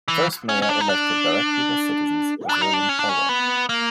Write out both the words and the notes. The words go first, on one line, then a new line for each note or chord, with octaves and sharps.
The first mayor elected directly by citizens was William Caldwell.
E3
C#4
C#4
D4
D#4
D4
D4
D#4
D4
C#4
D4
C#4
B3
A#3